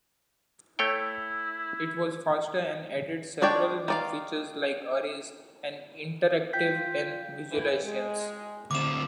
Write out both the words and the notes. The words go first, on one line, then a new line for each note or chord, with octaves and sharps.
It was faster and added several new features like arrays and interactivity in visualizations.
A3 E4 C#5 G5
G#3 D4 C#5 D5 G5
D#3 D5 F5
F4 G5 G6 B6
G#2 E3
G#3
D2 C4 D6 E7